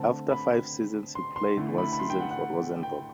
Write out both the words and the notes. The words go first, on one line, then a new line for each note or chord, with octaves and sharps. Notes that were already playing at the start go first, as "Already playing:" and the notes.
After five seasons he played one season for Rosenborg.
Already playing: D3 A3 C4 A5
B5
C6
C6
D3 A3 E4
B5
B5
C6
G5
F#5
F#5
G5